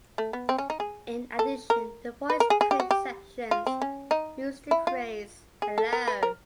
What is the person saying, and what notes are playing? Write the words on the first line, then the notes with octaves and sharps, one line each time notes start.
In addition, the voice print sections use the phrase Hello.
A3
B3
C4
C#4
D#4
G#4
A4
A#4
B4
A#4
G#4
G#4
G4
F#4
G4
F4
C4
C#4
D#4
E4
F4
G#4
A4
A#4
B4
A#4